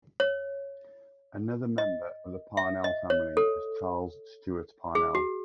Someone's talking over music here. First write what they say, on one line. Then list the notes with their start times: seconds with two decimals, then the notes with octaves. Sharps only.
Another member of the Parnell family was Charles Stewart Parnell.
0.20 C#5
1.78 D#5
2.57 E5
2.84 D#5
3.10 C#5
3.37 A4
4.95 G#4
5.15 F#4